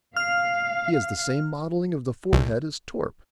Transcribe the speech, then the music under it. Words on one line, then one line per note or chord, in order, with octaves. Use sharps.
He has the same modelling of the forehead as Torp.
F5 F6
C2